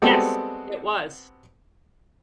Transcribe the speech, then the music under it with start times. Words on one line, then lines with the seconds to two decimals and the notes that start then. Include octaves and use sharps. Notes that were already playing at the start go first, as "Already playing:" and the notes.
Yes, it was.
0.02 G3 G#3 B3 C4 F#4 A4